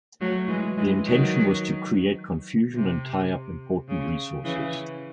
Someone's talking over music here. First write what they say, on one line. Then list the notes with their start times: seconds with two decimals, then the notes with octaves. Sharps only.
The intention was to create confusion and tie up important resources.
0.20 F#3 A3
0.48 E3 G#3
0.77 E3 G#3
1.05 D#3 F#3
2.75 C3
3.88 C#3
4.44 C#3 E3